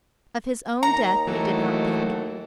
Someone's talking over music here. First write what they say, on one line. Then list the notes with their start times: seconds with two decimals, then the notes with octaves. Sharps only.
Of his own death he did not think.
0.83 D#2 A#5
1.27 E3 F#3 A3